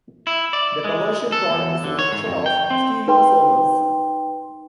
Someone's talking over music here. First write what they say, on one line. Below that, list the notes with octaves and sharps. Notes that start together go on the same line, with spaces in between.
The commercial product is a mixture of stereoisomers.
E4
D5
G#3
A4
E2
D3
C#5
G#2
F2
G5
C4
D#4 B4 G5 C6